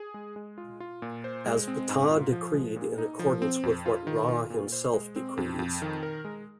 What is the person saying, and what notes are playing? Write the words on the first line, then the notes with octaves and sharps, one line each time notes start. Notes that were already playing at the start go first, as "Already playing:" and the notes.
As Ptah decreed in accordance with what Ra himself decrees.
Already playing: G#4
G#3
G#3
F4
F4
A#2
C5
G#3
C4
G#2
F4
F3
G#3
A#2
D#4
F3
C4
F2
F4
D#3
F4
A#2
C5
G#3
C4
F2
F2
D#3
A#4
G#3